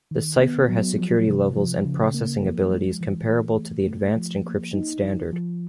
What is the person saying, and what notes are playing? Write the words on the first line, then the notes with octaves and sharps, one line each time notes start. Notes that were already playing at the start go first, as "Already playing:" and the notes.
The cipher has security levels and processing abilities comparable to the Advanced Encryption Standard.
D#3
B3
F#3
F3
C3
F3
C#3
A#3
F3
G#3
E3
E3
A3
A3
F3
A#3
D#4
F3
F3